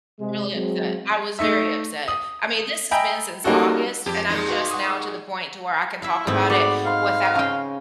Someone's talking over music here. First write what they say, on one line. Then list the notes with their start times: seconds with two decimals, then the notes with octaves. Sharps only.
really upset. I was very upset. I mean, this has been since August and I'm just now to the point to where I can talk about it without
0.19 C3 G#3
0.52 F#3 G#3 C4
1.39 A3 D#4 E5
2.08 D#6
2.91 D#5 E5 G5 G#5 A#5 B5
3.44 G3 A#3 C#4 D#4 F#4 A4
4.06 F2 G4
4.29 A#2 G#3 D#4
4.49 F#4 B4 F5
4.71 F#5 C#6 D#6
6.02 E4 E5 F5
6.27 G#2 A3 B3 C4 E4
6.50 F#4 B4 D5 F#5
6.85 D#4 C5 F5 B5
7.35 C#3 G5 A#5